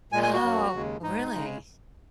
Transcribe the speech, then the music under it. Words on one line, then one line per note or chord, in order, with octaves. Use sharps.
Oh, really?
A#2 G#3 G#5
G#5
F#4
F#2 F#3 A#3
D#2 C#3 G#3
G#2 G#3 D#4
C#3 G#3